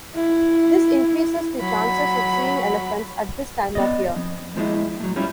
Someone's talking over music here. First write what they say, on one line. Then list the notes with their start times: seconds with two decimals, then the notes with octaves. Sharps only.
This increases the chances of seeing elephants at this time of year.
0.15 E4
1.60 F#3 B5
3.75 B3 D5 D#5
4.16 F2
4.56 G#2 F3 G#3 E4 D#5
5.00 A2 F#3
5.16 G3 C#4 E4 F4